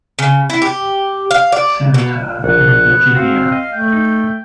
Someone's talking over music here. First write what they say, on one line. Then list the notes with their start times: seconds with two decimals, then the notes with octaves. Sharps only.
Senator in Virginia.
0.19 C#3
0.50 E4
0.62 G4
1.31 F5
1.52 D5
1.94 B2
2.44 A#1 F#5
2.84 B3
3.15 C4 F#4 F5
3.52 D#5
3.72 A3 G5
3.92 D#4